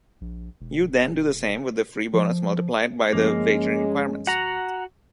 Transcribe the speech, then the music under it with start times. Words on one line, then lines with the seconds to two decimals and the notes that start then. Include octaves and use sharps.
You then do the same with the free bonus multiplied by the wagering requirements.
0.21 A#1
0.60 E1
2.13 F3
3.13 G1 F3 G#3 A#3 C#4
4.27 F#4 F#5 A#5